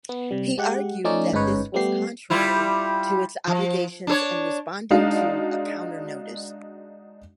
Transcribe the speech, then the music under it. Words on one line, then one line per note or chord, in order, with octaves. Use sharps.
He argued that this was contrary to its obligations in responding to a counter-notice.
B3
C3 G3
G#3 G4 F#5
F3 A3 C#4 D#4 D5
G1 G#2 C#4 D#4 B4 C#5
G3 A3 B3 G4 C7
G3 E4 F4
F3
D4 A4 C#5
G#3 D4 D#4 F#4 F5